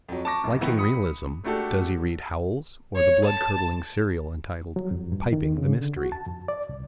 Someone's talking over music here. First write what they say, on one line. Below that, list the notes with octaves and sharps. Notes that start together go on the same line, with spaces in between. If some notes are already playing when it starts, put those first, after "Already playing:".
Liking realism, does he read Howells or the blood-curdling serial entitled "Piping the Mystery"?
F2 F#3
A5 C#6 D6 A#6
D1
D#3 F3 B3 E4
B5 D#6 C#7
G#3 A3 D4 F#4 G4 A4
C#5
A5
F#3
F2
G2
D#3
C#3
D3
F#4
A5
F2
D5
C2